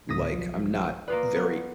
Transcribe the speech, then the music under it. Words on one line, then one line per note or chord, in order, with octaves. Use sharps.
like, I'm not very
D2 A2 D3 D#6 A#6 B6
B1 F3 F4
A#3 F4 B4 D5 D#6
B3